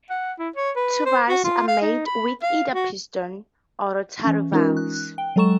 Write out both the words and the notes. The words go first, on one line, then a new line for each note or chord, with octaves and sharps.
Tubas are made with either piston or rotary valves.
F#5
E4
C#5
B4
C5
F#4
F4
F5
D#4
B5
F5
F#4
E3 C#4
E3 G#3 C#4 D#4 F4 A#4
F#6
G5
F#3 G#3 A4 A#5 C#6 E7